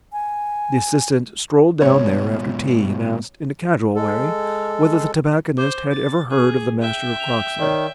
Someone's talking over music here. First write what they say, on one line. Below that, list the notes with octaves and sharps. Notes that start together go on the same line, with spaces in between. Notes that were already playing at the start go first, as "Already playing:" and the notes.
The assistant strolled down there after tea and asked, in a casual way, whether the tobacconist had ever heard of the Master of Croxley.
G#5
G#2 B2 C#5
G#3 A4
C5 D6
A6
G#4
E5 G5
F7
D#3 C#5 D5